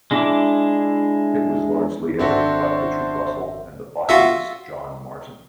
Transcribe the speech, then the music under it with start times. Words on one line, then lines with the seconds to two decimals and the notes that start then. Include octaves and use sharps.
It was largely edited by Richard Russell and the botanist John Martyn.
0.11 G#3 D4 E4 D6
2.19 G#1 C4 D4 F#4 A4 C5 E5
4.09 F4 F#4 E5